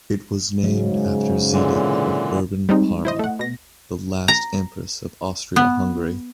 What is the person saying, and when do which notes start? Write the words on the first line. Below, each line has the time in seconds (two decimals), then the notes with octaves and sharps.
It was named after Zita of Bourbon-Parma, the last empress of Austria-Hungary.
0.63 G#2 C#3 F#3 G#3
1.53 A#2 D3 E3
2.69 G3 G#3 C4 D#4
3.05 E4 C5 D#5
3.19 A3 F#5
3.39 B2 A#6
4.28 A#5
5.56 B3